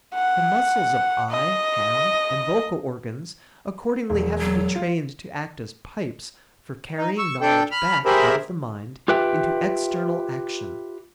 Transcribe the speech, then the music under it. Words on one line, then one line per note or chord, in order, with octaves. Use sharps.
The muscles of eye, hand, and vocal organs accordingly have to be trained to act as pipes for carrying knowledge back out of the mind into external action.
F#5
D#5
E1
F#3
F4
D#4
C#6 E6
D4 A4 G5
B5 F6
G4 G#4 A#4 C5 E5 B5
F4 G4 B4 E5 G5